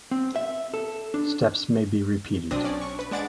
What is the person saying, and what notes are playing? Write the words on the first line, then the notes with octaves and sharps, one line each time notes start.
Steps may be repeated.
C4
E5
A4
D4
B1 C4 D4 D#6 A#6
C#4 D5
C#6
B4
G#3 D4 F#5 A6 D7